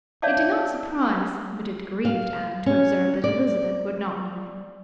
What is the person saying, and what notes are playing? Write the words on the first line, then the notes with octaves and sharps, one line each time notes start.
It did not surprise, but it grieved Anne to observe that Elizabeth would not know him.
C#5 D5 E5 F5 A5 D6
F5
C#4
D5